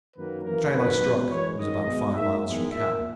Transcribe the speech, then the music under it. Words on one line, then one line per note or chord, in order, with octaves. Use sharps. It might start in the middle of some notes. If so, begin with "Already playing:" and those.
The trail I struck was about five miles from camp.
F#2 D#3 F#3 A#3 B4
F#2 E3 A#3 A#4
F#2 D#3 F#3 B4
B2 G#3
F#2 E3 G#3 C#5
G#2 D#3 G#3 D#5
B2 G#3
G#2 F#3 A#3 E5
E2 D#3 G#3
A#2 A#3 E5